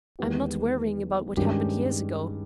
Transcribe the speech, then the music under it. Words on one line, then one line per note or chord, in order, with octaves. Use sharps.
I'm not worrying about what happened years ago.
E2 D#3 G#3 B3 G4
G2 D#3 G#3 C#4 G4